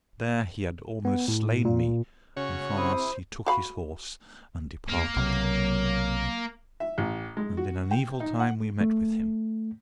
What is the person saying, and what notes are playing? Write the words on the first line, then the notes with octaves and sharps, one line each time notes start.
And there he had almost slain me, and from us he took his horse and departed, and in an evil time we met with him.
B3
A2
A#2
C#3 C#4 F#4 C#5
C3 C4 E4 C5 D#6
F#4 F5 B5
E2 A#3
B1 C3 F#3
E5
A1
G#3
F#4
G5
D#4
F#5
A3